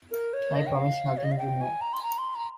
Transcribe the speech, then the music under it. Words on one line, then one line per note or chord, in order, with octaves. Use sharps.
I promise nothing, you know.
A#4
C#5
D#5
G5
F5
C#5
D#5
F5
G5
G#5
A#5
C6
A#5
C6
A#5